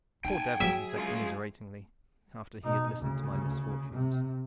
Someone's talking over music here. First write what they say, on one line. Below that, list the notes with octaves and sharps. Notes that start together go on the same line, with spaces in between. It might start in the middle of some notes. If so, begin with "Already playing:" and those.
"Poor devil!" he said, commiseratingly, after he had listened to my misfortunes.
D#4 G5 G#5
F#3 G#4 E5
G#3 F4 F5
B2 D#4
D2 C#3
C3